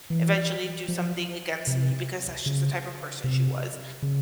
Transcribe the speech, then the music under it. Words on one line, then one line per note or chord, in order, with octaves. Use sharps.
eventually do something against me because that's just the type of person she was,
E3
F3
C3
C#3
C3
C#3